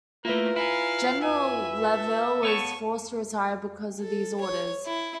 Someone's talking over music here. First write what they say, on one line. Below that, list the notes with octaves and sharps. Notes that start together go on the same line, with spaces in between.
General Lavelle was forced to retire because of these orders.
A3 A#3 E4 F4 A#4 B4
E4 F5 G#5 A#5
E5 G#5
A4
B3 C#5 A5 C#6
A4
C#5
E4